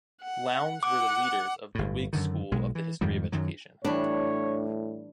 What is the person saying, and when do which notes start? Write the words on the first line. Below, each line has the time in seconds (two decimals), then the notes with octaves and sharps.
Lowndes were the leaders of the Whig school of the history of education.
0.22 F#5
0.83 F#5 D6
1.75 G1 A2
2.13 F#2 D3 D#3
2.52 B1 B2 G#3
2.75 E3
3.01 F2 G#2 D#3 G3
3.32 F#2 D#3 F#3
3.85 A2 E3 G3 D4 C#5